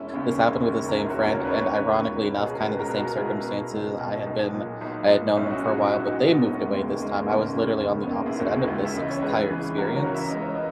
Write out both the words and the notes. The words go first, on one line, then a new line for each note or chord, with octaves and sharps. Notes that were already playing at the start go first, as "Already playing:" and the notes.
This happened with the same friend, and ironically enough, kinda the same circumstances. I had been I had known them for a while, but they moved away this time, I was literally on the opposite end of this ex ...tire experience,
Already playing: E1 C#4 E4
D#2 C#3
E1
D#2 C#3
A#4
E1 E4 G#4
F#4 A#4
D#2 C#3 A#4 C#5
A#4 C#5
B4
E1 A#4 C#5
D#2 C#3
C#2
B2
F#4
G#4
A#4
C#2 G#4 B4
F#4 A#4
B2
F#4 A#4
C#2 E4 G#4
B2
C#2
B2
B1
A#2
B1
A#2
B1 C#4 E4
D#4 F#4
A#2 D#4 F#4
C#4 E4
B1 D#4 F#4
D#4 F#4
A#2
B3 D#4
E1 A#3 C#4
G#3 B3
D#2 C#3
A#3
E1 G#3
B3
A#3
D#2 C#3
A#3
E1
D#2 C#3
B3
E1 A#3
E4 G#4
D#2 C#3 D#4 F#4
E4 G#4
C#2
E5
C#3 E3 D#5
C#5
C#2 G#4 B4
C#3 E3
C#2 F#4 A#4
A#4 C#5
C#3 E3
E5
C#2 D#5
C#5
B4 D#5